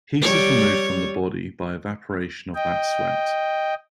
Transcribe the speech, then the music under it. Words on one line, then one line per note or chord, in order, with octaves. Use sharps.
Heat is removed from the body by evaporation of that sweat.
G3 C#5
D#5 G5